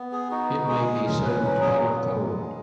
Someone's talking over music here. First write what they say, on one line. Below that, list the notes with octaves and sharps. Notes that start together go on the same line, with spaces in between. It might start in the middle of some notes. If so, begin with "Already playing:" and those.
It may be served hot or cold.
Already playing: B3
G#4
D#4 F#4
G#3 G#4
C#4 A#4
B4
F#3 B4
G#4
B3
G#3